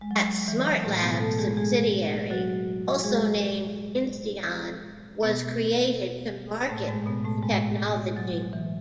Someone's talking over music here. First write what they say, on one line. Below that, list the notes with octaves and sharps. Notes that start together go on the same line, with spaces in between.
A Smartlabs subsidiary, also named Insteon, was created to market the technology.
G#3
F#3
F#3
E3
F#3
A2 A3
B2 B3
A3 A4
G#3 G#4
G#3 G#4
F#3 F#4
G#3 G#4
B2 B3
A2 A3
G#2 G#3
B2 B3
A2 A3
G#2 G#3
F#3
E3